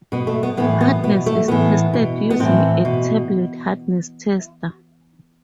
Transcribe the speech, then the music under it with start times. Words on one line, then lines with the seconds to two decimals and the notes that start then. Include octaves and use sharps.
Hardness is tested using a tablet hardness tester.
0.12 B2 B3
0.27 A3
0.43 B3
0.57 A2 E3 B3
0.81 B3
1.03 B2 B3
1.26 A3
1.48 A2 E3 B3
1.93 B2
2.30 B3
2.39 A2 E3 C4
2.85 B2